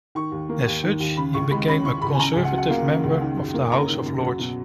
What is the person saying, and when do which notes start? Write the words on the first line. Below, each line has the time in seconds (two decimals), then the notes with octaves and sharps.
As such, he became a Conservative member of the House of Lords.
0.15 D#3 C#6
0.32 D#2
0.49 A#3
0.67 D#2
0.83 D#3
1.00 D#2
1.17 C#3 B5
1.34 C#2 C#6
1.51 G#3 B5
1.68 C#4 B5
1.85 C#3 C#6
2.02 C#2 B5
2.14 G#5
2.20 C#3 A#5
2.32 G#5
2.36 C#2
2.44 F#5
2.52 F#3
2.58 F#5
2.70 A#3 F5
2.87 C#3
3.04 C#2
3.21 D#3
3.37 F#2
3.54 A#3
3.72 C#4 A#5
3.89 D#3
4.06 F#2
4.23 F#3
4.39 B2